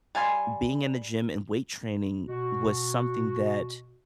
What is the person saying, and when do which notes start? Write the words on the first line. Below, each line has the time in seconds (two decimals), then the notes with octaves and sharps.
being in the gym and weight training was something that
0.15 G3 F5 G#5 C6
2.27 B2 F#4